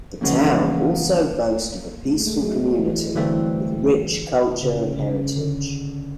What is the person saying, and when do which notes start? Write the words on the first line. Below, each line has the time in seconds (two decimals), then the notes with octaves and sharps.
The town also boast of a peaceful community with rich culture and heritage.
0.21 E2 C#3 F3 G#3 A#3 B3
0.58 A#3
2.06 G#3
2.12 A3
2.20 G#3
2.27 A3
2.34 G#3
2.42 F#3
2.79 E3
3.15 G2 D3 E3 A3 C4
4.62 C#3
4.99 C#3
5.36 D3